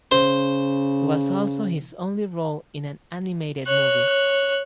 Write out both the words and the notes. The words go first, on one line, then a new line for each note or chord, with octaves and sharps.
It was also his only role in an animated movie.
C#3 C5
C#5 F#6